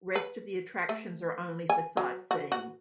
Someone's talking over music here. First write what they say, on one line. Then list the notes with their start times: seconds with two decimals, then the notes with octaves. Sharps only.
Rest of the attractions are only for sightseeing.
0.15 B4
0.89 A3
1.70 G#5
1.97 F#3
2.31 F#4
2.52 F#4